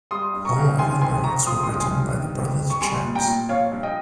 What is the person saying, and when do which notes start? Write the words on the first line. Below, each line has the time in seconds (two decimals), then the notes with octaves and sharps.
All other lyrics were written by The Brothers Chaps.
0.11 G3 C6 D#6
0.34 G2
0.45 A#5 C#6
0.56 G2
0.79 D#3 G#5 C6
1.01 F2 G#5 C6
1.24 F2 A#5 C#6
1.47 F3 C6 D#6
1.63 C6 D#6
1.69 G2
1.81 G#5 C6
1.91 G2
2.14 D#3
2.37 F2
2.59 F2
2.70 C#6
2.81 G3 G#5 C6
3.04 A#2
3.15 G5 A#5
3.27 A#2
3.49 F3 C#5 F5
3.72 G2
3.83 D#5 G5